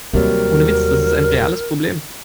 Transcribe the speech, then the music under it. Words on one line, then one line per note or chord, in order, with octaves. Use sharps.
Ohne Witz, das ist ein reales Problem.
D#2 C3 F#3 G3 A#4